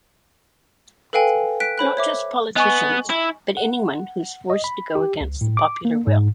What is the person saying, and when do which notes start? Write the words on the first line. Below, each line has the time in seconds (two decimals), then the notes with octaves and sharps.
Not just politicians, but anyone who's forced to go against the popular will.
1.13 A4 B4 F5 G5 G#5
1.60 F#6 B6 D7
1.78 C5 C#5 B5 F#6
1.97 C#5 E5 D6
2.56 B3 D#5 G#5 C#6
3.10 E4
3.57 F#5
4.50 D#5
4.64 B5
4.95 G4
5.21 C#2
5.41 A2
5.57 D6
5.85 A#3
6.07 G#2